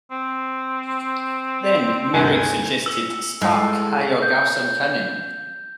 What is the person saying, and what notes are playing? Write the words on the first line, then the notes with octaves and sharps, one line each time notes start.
Then Merrick suggested Stark hire Garson Kanin.
C4
D2 G2 C3 G#5
E6
A2 G#3
G6